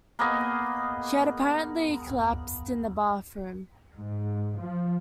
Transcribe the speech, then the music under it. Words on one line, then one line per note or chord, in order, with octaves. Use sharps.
She had apparently collapsed in a bathroom.
A#3 B3 G#4 D#5
G#2
F3